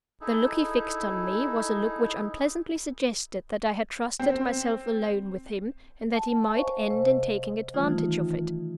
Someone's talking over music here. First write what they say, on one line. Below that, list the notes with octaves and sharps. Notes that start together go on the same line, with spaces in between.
The look he fixed on me was a look which unpleasantly suggested that I had trusted myself alone with him, and that he might end in taking advantage of it.
D#4 E4 G#4 A4
C4
F#5 A5
C5 C#5 D#5 F5 G#5 C#6
C3 C5
D#3 E3 G3 A3 D#4 F4